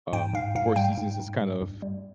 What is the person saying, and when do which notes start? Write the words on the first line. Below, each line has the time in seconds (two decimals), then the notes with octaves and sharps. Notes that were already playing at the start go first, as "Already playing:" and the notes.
um, four seasons is kind of
0.13 G#2 G5
0.34 G#2 F5
0.55 G#2 F5
0.76 G3 G5
0.98 G#2
1.20 G#2
1.41 G3
1.62 G2
1.82 G3